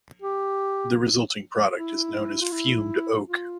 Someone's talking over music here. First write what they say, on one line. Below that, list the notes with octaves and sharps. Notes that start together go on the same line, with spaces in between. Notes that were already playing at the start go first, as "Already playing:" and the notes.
The resulting product is known as "fumed oak".
G4
E4
F4
E4
F4